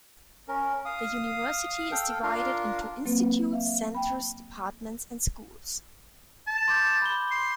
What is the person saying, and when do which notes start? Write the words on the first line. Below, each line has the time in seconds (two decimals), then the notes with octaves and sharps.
The university is divided into institutes, centres, departments and schools.
0.48 C#4 A#4
0.85 F5 D#6
1.92 A4 F5 G5
2.23 D4 F4 A#4 F5
3.05 F#3 A#3 C4 B4
3.53 E5 F5
3.95 G5 B5
6.47 A5
6.68 C6 D6 G6
7.02 B5 G7
7.31 C6